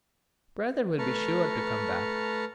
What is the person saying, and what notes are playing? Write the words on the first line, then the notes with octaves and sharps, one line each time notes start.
Brother will be sure to come back.
A3 B4 A5 A#5 C#6 F6